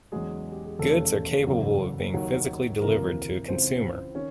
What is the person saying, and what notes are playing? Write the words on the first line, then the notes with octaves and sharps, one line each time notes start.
Goods are capable of being physically delivered to a consumer.
E2 C#3 F#3 G#3 G#4
G4
G#4
E1 D#2 C#3 A3 A4
F#1 E2 C#3 F#3
D#2 D#3 F#3
D2 C3 E3 A#3 A#4
C#2 C#3 E3 C4 C5
D#3 C#4